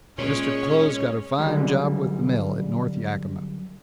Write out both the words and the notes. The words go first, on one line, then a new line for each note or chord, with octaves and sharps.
Mr. Kloh's got a fine job with the mill, at North Yakima.
A#2 G#3 C#4 C#5
F#2 D3 F3 G3 G#3